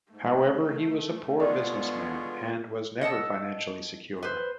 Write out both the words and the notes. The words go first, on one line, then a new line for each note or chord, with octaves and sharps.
However, he was a poor businessman and was never financially secure.
G#2 A3
B2 D3 G#3 B3 F4 C#5 D5
D#5 F#5 A5 E6
B4 C5